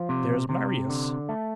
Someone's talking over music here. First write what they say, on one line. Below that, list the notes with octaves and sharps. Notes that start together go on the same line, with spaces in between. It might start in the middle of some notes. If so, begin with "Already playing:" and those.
"There's Marius."
Already playing: F3
C3
C3
D3
A3